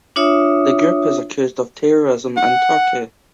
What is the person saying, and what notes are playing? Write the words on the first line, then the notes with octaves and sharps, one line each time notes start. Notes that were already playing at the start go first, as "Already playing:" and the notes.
The group is accused of terrorism in Turkey.
D4 F4 C#5 E5 D#6
F#5